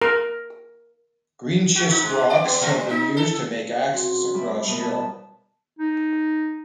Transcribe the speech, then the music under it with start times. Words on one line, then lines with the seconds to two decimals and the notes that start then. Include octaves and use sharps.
Greenschist rocks have been used to make axes across Europe.
0.02 A#4
1.75 F#4
1.90 D#4
2.02 G#2
2.30 D5
2.44 B3
2.61 A#2
2.76 G3
2.90 D#4
3.17 A4
3.94 C#3 C4 F#4
4.34 G3 E4
4.68 B2 G3 B3 A#4 A5
5.79 D#4